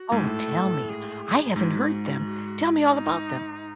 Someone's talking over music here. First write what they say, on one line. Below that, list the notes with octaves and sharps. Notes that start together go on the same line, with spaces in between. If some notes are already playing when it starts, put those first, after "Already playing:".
Oh, tell me, I haven't heard them. Tell me all about them.
Already playing: F#4
G#2
A2 A4
G#4
G#2 F#4
D#4